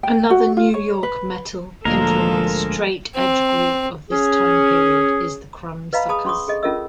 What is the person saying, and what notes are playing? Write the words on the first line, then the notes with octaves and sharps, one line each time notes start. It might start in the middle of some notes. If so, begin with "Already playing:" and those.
Another New York metal-influenced straight edge group of this time period is the Crumbsuckers.
G5
F#4
F4
C#5
B4
D2 A#2 F3 G#3 A#3 A4 A#4
C4
C#4 G#4
B4 D#5 F5 A#5 B5
G#4 A5 B5 D#6
C#4 C6 C#6 D#6
G#4 A4 D#5
C#4 F4 A4 A#4 D#5 E6